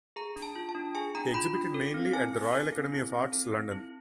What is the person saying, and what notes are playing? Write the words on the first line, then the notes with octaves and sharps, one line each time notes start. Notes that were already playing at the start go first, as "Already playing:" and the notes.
He exhibited mainly at the Royal Academy of Arts, London.
G#4 A#5
D4
A5
F4
A5
D4
G#4 G#5
D4 A#5
F4 B5
D4
A4
C4
E4 G#5
C4
A4
C4
E4
C4
A4
C4
E4